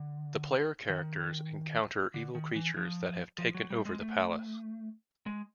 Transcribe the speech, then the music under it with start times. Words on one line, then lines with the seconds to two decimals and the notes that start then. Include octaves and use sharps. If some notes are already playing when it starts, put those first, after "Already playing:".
The player characters encounter evil creatures that have taken over the palace.
Already playing: D3
0.89 D#3
2.14 D3
2.35 D#3
2.55 E3
2.77 F3
3.38 F3
3.55 F#3
3.70 G3
3.85 G#3
4.01 A3
5.26 G#3